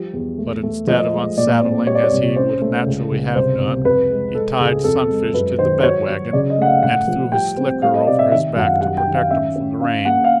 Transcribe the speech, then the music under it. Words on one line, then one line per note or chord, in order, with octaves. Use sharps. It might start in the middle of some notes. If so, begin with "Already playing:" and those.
But instead of unsaddling, as he would naturally have done, he tied Sunfish to the bed-wagon and threw his slicker over his back to protect him from the rain.
Already playing: F3 G3
E2
A3
A3
F3 D#5
G#3
A#2 D5
C4
G3 C#5
D5
C#5
C2
C#4 C5
A3
C#2
C#2
C2 C5
C2
F2 B4
G#3
G#3 A4
C#2 G#4
F2 A4
G#3
F#2 B4
D#3 C5
C5
F#3 C#5
F#3
C#3 D5
D#5
A3 F#5
F5
A2 F#5
F3
G3 G5
C4
G3 F5
D#5
C3 D5
E5
D#3 E5
F#2 F#5
F5
G3 F#5
G5
D#3
F5
C#4 E5
C#4
C#4 F5
A#3 F#5
F5